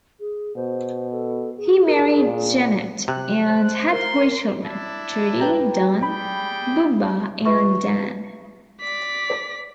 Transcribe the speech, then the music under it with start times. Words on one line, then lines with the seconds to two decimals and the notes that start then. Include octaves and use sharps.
He married Jeannette and had three children: Trudy, Don "Bubba", and Dan.
0.20 G#4
0.56 B2 C5
1.12 A4
1.58 G#4
1.87 A#4
2.25 A#2
3.08 C3 F#6
3.47 C5
3.92 A#4 C6
4.66 D4 E4 A5
5.40 B4 G5 A#5
6.03 G3 G#4 G5 B5
7.45 F4 B4 E5 C#6
8.82 D5 B6